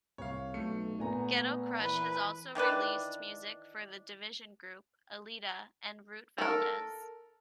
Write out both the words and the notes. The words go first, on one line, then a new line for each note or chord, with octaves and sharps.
Ghetto Crush has also released music for The Division Group, Aleda and Root Valdez.
C2 C#5 F5
B1 A3 C#7
A#2 B3 G#5 A#5
E3 B4
D#3 E3 D4 B4
A4 A#4